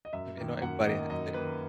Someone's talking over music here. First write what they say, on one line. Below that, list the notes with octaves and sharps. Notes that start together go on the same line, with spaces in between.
If You know, everybody has to
D#5
F#2 E5
D#3 A#3
F#2 F#5
D#3 A#3 D#5
F#2 D#5
D#3 A#3 B4